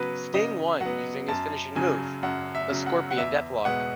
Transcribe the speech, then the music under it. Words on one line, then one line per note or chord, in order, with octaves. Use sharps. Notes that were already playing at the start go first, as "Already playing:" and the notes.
Sting won using his finishing move, the Scorpion Deathlock.
Already playing: C#3 F#3 B3 B4
C#3 D#5
F#3 B3 F#5
F#2 A5
C#3 F#3 G#5
F#2 F#5
E5
C#3 F#3
F#5
F#5
E2 E5
B2 G#3 B3 F#5